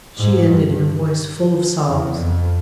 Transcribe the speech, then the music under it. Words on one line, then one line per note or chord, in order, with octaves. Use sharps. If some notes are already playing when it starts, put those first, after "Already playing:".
She ended in a voice full of sobs.
G#2
G2
E2
F2